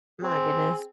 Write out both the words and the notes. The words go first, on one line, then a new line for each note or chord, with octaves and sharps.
My goodness.
C4 G#4